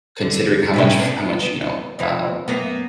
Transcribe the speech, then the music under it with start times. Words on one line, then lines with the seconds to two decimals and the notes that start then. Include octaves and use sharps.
considering how much fu how much, you know, uh,
0.21 D3
0.74 A2 C3 C#4
1.00 B3 D4
1.43 B3
1.99 F2 E3
2.48 F#2 A#3 B3